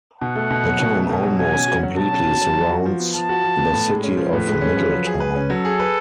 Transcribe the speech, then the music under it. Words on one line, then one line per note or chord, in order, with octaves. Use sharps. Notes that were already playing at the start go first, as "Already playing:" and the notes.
The town almost completely surrounds the city of Middletown.
B2 F#5
A3
B2
F#3
B2
A3
B2
F#3
B2 G#5
C#4
F#4
F#3
B2 A5
C#4
F#4
F#3
F3
F#4
F3
B3
F3 A5
F#4
F3
B3
A2
G#3
C#4
F3
A2 B4
G#3
C#4
F3
F#3
G#4
B4
C#4
F#3 A4
G#4
B4